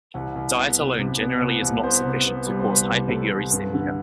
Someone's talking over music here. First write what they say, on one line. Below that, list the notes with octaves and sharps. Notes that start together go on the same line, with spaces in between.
Diet alone generally is not sufficient to cause hyperuricemia.
C2 F#5
C2
B3
C3
C3
B3
C3
C2
B3 C5
C3
B3
G3
C5
C2 B4
C3
C3 A4
C2
G2
D3